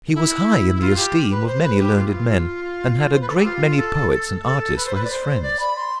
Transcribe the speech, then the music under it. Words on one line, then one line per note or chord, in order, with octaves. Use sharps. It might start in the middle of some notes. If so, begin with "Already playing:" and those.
He was high in the esteem of many learned men and had a great many poets and artists for his friends.
E4
E4
F4
G4
B4
C5
B4
G4
F4
E4
F4
C5
B4
A4
G4
F4
A4
A4
A4
B4
C5
B4
D5
C5
D5
B5
C6